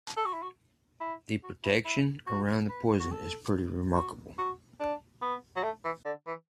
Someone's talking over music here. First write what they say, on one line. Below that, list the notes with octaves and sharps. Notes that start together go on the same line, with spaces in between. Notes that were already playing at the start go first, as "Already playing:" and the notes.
The protection around the prison is pretty remarkable.
A4
F#4
E4
F#4
E4
F#4
E4
E4
F#4
B4
F#4
A4
F#4
F#4
D4
B3
F#3
A3
E3
D3
E3